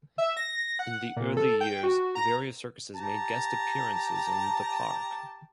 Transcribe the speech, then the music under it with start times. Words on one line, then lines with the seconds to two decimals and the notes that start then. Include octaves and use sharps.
In the early years various circuses made guest appearances in the park.
0.18 E5
0.37 A#6
0.79 F#5
1.16 A#2
1.37 A4
1.61 G5
1.83 F#4
2.15 A#5
2.96 G4 A5 A#5